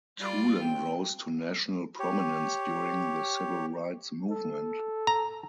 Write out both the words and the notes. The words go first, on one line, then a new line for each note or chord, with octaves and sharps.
Toolen rose to national prominence during the civil rights movement.
G3 F4 D5
C4 G5
G4 C#5
A4
A#5